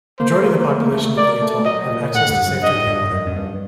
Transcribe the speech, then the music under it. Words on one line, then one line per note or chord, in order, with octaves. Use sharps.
Majority of the population of the atoll have access to safe drinking water.
A#3 C5
A3
A#3
A#3
A3
A#3
A3
A3
A#3 D5
A3
F#3 D#5
C3
A#2
A2 F#5
G2
F#2
G2 D#5
A2
G2
F#2
F#2
G2